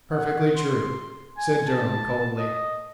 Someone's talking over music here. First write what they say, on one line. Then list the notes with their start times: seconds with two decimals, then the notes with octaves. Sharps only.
"Perfectly true," said Durham, coldly.
0.11 F#5
0.56 C6
1.37 G#5
1.67 A5
2.38 D#5